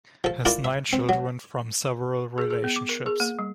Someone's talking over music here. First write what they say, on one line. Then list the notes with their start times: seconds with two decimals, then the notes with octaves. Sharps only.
Has nine children from several relationships.
0.24 F3 A4
0.45 E4 F4 A4 A#4 D5
0.64 E5
0.93 C4
1.09 F#3
2.38 G#4
2.51 G#4
2.64 B3
2.76 D6
2.89 A#4
3.06 G#4
3.20 A#3
3.39 G3